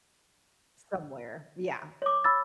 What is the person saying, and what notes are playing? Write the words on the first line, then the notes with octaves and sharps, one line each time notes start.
somewhere yeah,
C#5 D6
B5 E6 A6